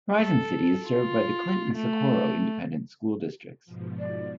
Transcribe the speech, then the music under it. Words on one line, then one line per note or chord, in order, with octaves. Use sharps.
Horizon City is served by the Clint and Socorro Independent School Districts.
A4
F4
A3
G#2 B2 F3
D5